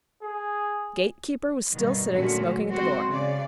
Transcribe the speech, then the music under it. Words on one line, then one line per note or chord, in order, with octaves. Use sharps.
The gatekeeper was still sitting smoking at the door.
G#4
G2 B2 D#3
A#2 D3 F#3 A3 C#4 F#4
G#3 C4 F#4 C5
C#3 D5